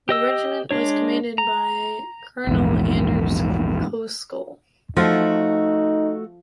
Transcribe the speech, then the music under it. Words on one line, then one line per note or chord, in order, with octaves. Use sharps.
The regiment was commanded by Colonel Anders Koskull.
G4 D#5 E6
G#3 D4 C#5
A#5
A#1 E2 G#2
F3 A3 D#4 F4 F#4 A4